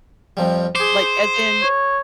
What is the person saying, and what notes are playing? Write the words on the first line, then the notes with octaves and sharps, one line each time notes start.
Like, as in
F2 F3 G3
G#4 C5 D6
C#5